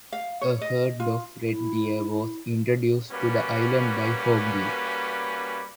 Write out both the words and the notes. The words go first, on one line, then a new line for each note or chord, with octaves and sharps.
A herd of red deer was introduced to the island by Haughey.
F5
C#5
D#5
F4
E4
G3 A#3 C#4 F#4 B4